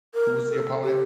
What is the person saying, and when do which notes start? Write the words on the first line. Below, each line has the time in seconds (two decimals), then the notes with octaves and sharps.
who was the opponent?
0.15 A#4
0.50 A4
0.83 G4